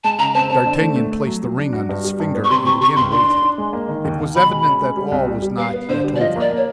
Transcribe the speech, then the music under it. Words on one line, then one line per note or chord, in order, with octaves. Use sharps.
D'Artagnan placed the ring on his finger, and again waited; it was evident that all was not yet over.
G#3 A5
C#3 A#5
C4 A5
C4 A5
D3
A3
A3
A3
F#3
F#3
D4
F#4
G2
G3
G2
B3
C#6
C3 C6
C3 C#6
C3 C#6
C#2 C6
D4 C6
D4
D4
G#3
A#3
D#3
D#2
D#2
B2 B5
G#3
C#4
G#3
G3
C2
G3
G3
B3 F5
B3
D3 C5
G3
D5
F3 D#5
A#3 D5
A#3
C#5